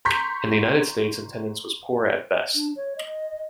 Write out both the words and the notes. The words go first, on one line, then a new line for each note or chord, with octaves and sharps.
In the United States attendance was poor at best.
A#5 C6 C#6 G6 B6
D4
C#5
D#5